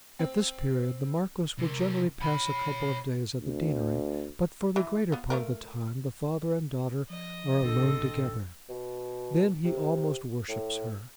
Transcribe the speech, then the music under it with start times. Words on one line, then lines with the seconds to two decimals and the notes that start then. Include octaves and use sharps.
At this period the Marquis will generally pass a couple of days at the deanery, but for the greater part of the time the father and daughter are alone together. Then he almost worships her.
0.19 C4
1.59 C3 A#4
2.21 C#5 B5
3.41 D2
4.76 E3
5.12 B3 F4
5.30 A3 F4 A#4
7.10 F3 D#5
7.62 A1 A#2 D3 C4 A4
8.69 B2
9.65 C3
10.49 A2